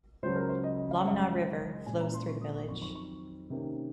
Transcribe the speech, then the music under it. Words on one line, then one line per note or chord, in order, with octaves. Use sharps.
Lomná River flows through the village.
C#2 C#3 F#3 C#4 C5
A#4
C5
D#5
D#5
F5
F#5
F#2 C#3 G#3 F5
A#2 G#3 C#4 G#5
A#5
C6
C#6
D#6
C#6
F2 D#3 F#3 C4 C#6
C#6
C#6
C3 D#3 A#3 C#4